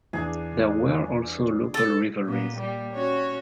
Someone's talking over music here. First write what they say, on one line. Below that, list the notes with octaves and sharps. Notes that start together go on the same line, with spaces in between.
There were also local rivalries.
E2 D4 G#4
A4
A#2 A#3 B3
G3 A#3
C#4 F#4 C#5